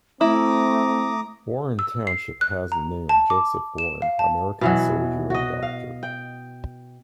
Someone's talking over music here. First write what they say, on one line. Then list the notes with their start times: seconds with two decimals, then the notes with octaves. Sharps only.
Warren Township has the name of Joseph Warren, American soldier and doctor.
0.21 A3 C4 E4 A#5 D6 D#6
1.79 E6
2.07 C7
2.41 F#6
2.72 A#5
3.09 A5
3.30 D6
3.78 E7
4.02 F5
4.19 A5
4.61 B2 E3 F#3
5.30 F#4 D#5
5.63 F5
6.03 G5